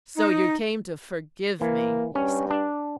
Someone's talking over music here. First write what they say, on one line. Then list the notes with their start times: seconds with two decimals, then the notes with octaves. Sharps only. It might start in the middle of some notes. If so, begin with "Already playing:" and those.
"So you came to forgive me?" he said.
0.15 D#4
1.61 E3 A#3
2.15 G2 C#4
2.50 D4